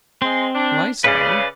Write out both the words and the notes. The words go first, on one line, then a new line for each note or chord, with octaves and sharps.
"Why so?"
G#3 C4 C6
D4
C#3 B4 D5